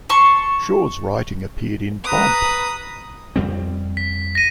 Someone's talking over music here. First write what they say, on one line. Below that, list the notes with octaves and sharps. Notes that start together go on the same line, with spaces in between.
Shaw's writing appeared in Bomp!
A5 C6 C#6
B4 A#5 D#6
F2 G3 C4
B6
A#6 D#7